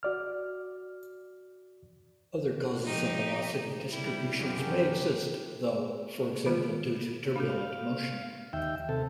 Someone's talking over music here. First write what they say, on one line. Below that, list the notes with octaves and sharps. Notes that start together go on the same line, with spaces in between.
Other causes of velocity distributions may exist, though, for example due to turbulent motion.
F#4 D5 F6
F3 D#4 G4
G3 E4
F#2 C#3 G4
D#3 G#3 F4
D4 F#4 A4 F5
D#2 E5 G5
C3 A4